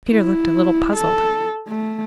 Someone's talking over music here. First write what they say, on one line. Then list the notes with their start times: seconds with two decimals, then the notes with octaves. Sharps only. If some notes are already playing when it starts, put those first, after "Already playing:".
Peter looked a little puzzled.
0.12 E4
0.96 A4
1.68 A3